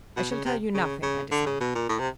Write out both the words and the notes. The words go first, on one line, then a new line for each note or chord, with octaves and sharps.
"I shall tell you nothing," I decided.
B2
C#3
C3
C#3
C#3
D3
C#3
B2
A#2
A2
C3